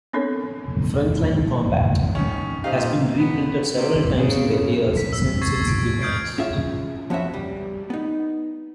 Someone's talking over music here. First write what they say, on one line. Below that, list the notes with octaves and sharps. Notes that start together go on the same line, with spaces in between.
"Frontline Combat" has been reprinted several times in the years since its demise.
B3 C4 D4 A4 A#4 C#5
D#3 C#4
A#2 A3 D#4 G4 C5 F5
B3
C3
C#3
B6
E6
C#6 G#6 A6 C7
C#6 G#6 D7
D#6 F6 G6 G#6 C7 D7
C#4 F4 G#4 E5
F3 B3 C#4 F#4 E5
G3
B3 D#4